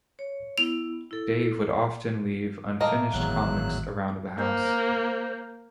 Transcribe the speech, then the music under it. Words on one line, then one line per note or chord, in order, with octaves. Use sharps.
Dave would often leave unfinished comics around the house.
C#5
B3 E4 F7
E4 A4
A2 A3 A#3 D#5 E5
G#1 E2 F#3 F#6
A#3 C5